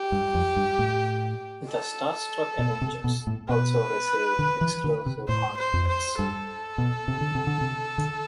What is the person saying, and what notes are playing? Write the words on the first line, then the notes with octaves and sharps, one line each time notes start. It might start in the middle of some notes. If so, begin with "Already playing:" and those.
The "Starstruck Avengers" also received exclusive contracts.
Already playing: G4
G2
F2
G2
A2
A4
B2
C3
B2
A2
B2 B4
D3
E3
D3
C3
A2 C5
C5
F2
C5
G2 A4
B2
C3
D3
C3
D3
C3
D3